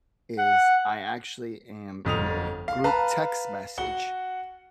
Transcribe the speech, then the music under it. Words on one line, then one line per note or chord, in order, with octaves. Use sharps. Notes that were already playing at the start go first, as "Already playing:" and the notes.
is I actually am in a group text message
F#5
G1 F2 D#6 F7
F5
B4 F5 A5 A#5
F#4 F#5 G7